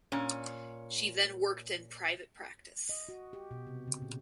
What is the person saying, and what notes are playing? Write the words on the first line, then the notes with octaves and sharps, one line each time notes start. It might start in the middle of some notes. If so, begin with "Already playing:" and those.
She then worked in private practice.
A#2 C#4
D#5
F#4
G4
B2
C3
C#3
A#2